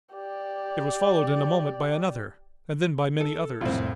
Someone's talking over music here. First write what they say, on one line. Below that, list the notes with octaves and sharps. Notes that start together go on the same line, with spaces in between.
It was followed in a moment by another and then by many others.
G4 D5
A4
C2 F2 A2 C4 E4 F4